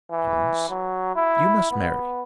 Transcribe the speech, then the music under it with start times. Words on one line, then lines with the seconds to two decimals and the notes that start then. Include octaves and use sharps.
Collins, you must marry.
0.11 E3
0.70 F#3
1.16 E4
1.71 B3